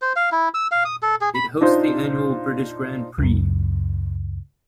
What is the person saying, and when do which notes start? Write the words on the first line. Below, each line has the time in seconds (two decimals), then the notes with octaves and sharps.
It hosts the annual British Grand Prix.
0.02 C5
0.16 F5
0.32 E4
0.54 E6
0.72 F5
0.85 D#6
1.02 A4
1.21 G#4
1.35 B5
1.61 D4 D#4 F4 C5
3.18 C#2 F#2